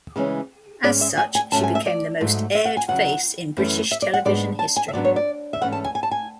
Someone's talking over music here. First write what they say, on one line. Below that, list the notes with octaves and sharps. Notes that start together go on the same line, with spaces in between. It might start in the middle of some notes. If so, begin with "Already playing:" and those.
As such she became the most aired face in British television history.
C#3 E3 G#3 C#4
G#2 G#3 C#4 D5
E5
G#5
G#5
G#2 F#3 A3 C#4 A5
G#5
E5
D5
G#2 F#3 A3
E5
F#5
G#5
E2 C#3 F#3 F#5
F#2 E3 A3 C#4
E5
D5
F#5
G#2 G#3 B3 D4 D5
A5
G#5
E5
G#2 F#3 B3 D4 D5
C#5
D5
E5
G#2 E3 A3 C#4 F#5
A5
G#5
G#5
A5
G#5